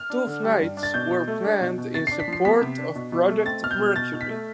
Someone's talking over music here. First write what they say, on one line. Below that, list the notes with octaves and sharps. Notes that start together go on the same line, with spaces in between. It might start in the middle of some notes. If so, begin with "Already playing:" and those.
Two flights were planned in support of Project Mercury.
Already playing: F6
D4
D3
G3
G2
D4
A6
B2 G6
B2
A3
D4
B2
B2
C3 A6
D4 C7
B6
F3 C7
B3 B6
C3
D4
B2
B2
A3
C4 A6
B2 F6
G6
B2
B2 A6
B2
B6
A3